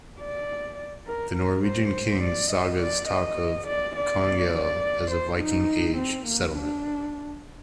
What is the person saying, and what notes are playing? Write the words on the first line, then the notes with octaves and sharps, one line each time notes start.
The Norwegian Kings' sagas talk of Konghelle as a Viking Age settlement.
D5
A#4
A#4
C5
D5
D#5
D5
D#5
D5
D5
D5
C5
D#4
C4
A#3
D4